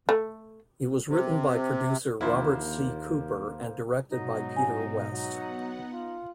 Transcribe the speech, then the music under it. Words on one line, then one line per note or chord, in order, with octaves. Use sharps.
It was written by producer Robert C. Cooper and directed by Peter Woeste.
A3
C3
D#2 D3 F3 A#3 E4 C5
G#2 B2 F#3 D#4
G#5
F#3 B3 F#5
F4